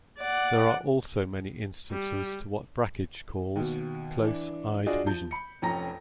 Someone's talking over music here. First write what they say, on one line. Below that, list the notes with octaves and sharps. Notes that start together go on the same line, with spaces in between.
There are also many instances to what Brakhage calls "close-eyed vision".
D5 F#5
G3
D#2 B2
E3 D4
D4 F4 F#4 G#4 D5 D#5
F3 A5 G6
B5 C#7
F1 F2 C#4 A#5 A#6